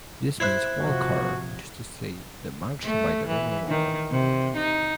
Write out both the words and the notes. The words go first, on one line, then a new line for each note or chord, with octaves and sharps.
This means 'wall-carr', that is to say, 'the marsh by the Roman wall'.
E4 C5 E5 F#6 G#6
C3 F3 F#4
A3
E3
D#3
C3
D#4